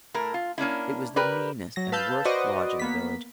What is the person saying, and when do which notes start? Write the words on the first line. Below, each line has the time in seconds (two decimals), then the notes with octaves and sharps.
It was the meanest and worst lodge in the village.
0.14 A2 A3 A#4
0.34 F4
0.58 A#3 C#4 D4 E4
1.16 G4 A#4 B4 D5
1.76 F#3 A#6
1.92 B4 F5 A5 E6 G6 A6
2.25 F#4 B4 C5 D5 D#5
2.79 A#3 B3 B6